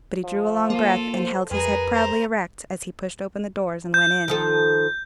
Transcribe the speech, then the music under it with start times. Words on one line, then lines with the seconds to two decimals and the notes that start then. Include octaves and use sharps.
But he drew a long breath, and held his head proudly erect as he pushed open the doors and went in.
0.24 F3
0.70 A#3 F4 A4
1.13 C5
1.51 F2 G#4 A#4 B4
1.92 A#4 C5
3.94 G6
4.28 D#3 F3 A4